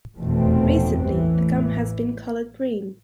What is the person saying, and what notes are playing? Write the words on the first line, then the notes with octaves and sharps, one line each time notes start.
Recently, the gum has been colored green.
F1 E2 B2 A3 C4
A1 A2 E3